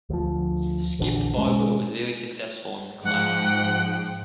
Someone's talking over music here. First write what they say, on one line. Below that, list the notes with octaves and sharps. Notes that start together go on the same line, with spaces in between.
Skip Barber was very successful in the class.
D2 F3
A#1 E2 D3
B2 G#3 C#4
G#2 F3 F#5 G5